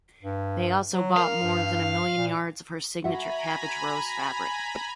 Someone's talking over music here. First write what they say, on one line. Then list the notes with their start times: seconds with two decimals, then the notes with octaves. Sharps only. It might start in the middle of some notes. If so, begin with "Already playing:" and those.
They also bought more than a million yards of her signature cabbage rose fabric.
0.23 G2
0.93 F#3
1.17 A#4 F5
1.43 G2
2.16 A#2
3.04 F#4 E5 F#5 G#5 A#5 B5